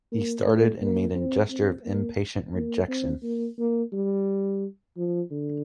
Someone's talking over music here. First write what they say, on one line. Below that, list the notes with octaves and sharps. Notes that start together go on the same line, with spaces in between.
He started, and made a gesture of impatient rejection.
A#3
A3
A#3
C4
C4
A#3
A#3
C4
A#3
A#3
G3
F3
D3